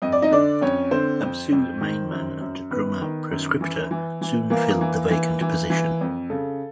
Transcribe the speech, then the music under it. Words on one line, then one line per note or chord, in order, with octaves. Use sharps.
Absu mainman and drummer Proscriptor soon filled the vacant position.
F2 D#5
D5
D#4 D#5
D3 D4 D5
F2 C#4 C#5
D3 C4 C5
F2
F2
D#3
F#2
F#2
D#3 B3 B4
D#3
F#2
E3
E3
E3
E3 A#3 A#4
E3
E3
E3
E3
F2
C#3 A4